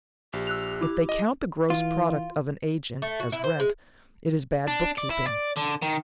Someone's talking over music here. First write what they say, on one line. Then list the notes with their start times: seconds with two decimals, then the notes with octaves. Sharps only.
If they count the gross product of an agent as rent, it is bad bookkeeping.
0.33 A#1 G4
0.47 E6 F#6 F7
0.81 E4 D6
1.09 D#5
1.70 E3 F4
3.02 A3
3.20 F#4
3.32 E4
3.44 C5
3.60 G#3
4.68 D4
4.98 D5
5.10 E4
5.27 D5
5.57 D3
5.82 D#3